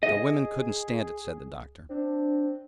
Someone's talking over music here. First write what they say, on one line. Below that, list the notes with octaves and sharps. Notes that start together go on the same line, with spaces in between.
"The women couldn't stand it," said the Doctor.
G#4 D#5
C4 D4